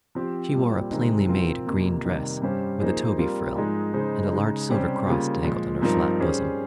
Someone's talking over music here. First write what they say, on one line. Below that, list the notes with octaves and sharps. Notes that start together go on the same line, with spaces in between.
She wore a plainly-made green dress, with a toby frill; and a large silver cross dangled on her flat bosom.
F3 C4 G4 C5
A#2 G3 C4
C3 D#3 G#3 C4 D#4
F3 C4 F4 A#4
F2 C3 F3 A#3
C3 D#3 G3 A#3
G2 G3 C#4 G4 C5
F3 A#3 D#4 G#4 C5
G3 C4 F4 A#4
G#2 F3 G#3 D#4 G#4
C#3 G#3 D#4 G#4 C5
C#3 G#3 D#4
C3 G3 C#4 G4 C5
C#3 G3 A#3 F4
A#2 F3 G#3
G2 F3 C4 D#4 A#4
G3 C#4 G#4 C5